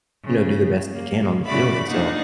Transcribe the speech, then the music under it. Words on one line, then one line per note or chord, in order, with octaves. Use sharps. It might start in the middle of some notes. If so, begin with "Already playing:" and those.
you know, do the best they can on the field and so,
C#3
A#3
C#3 F#4 D5 E5 B5
A#3 D4 D#4 F#5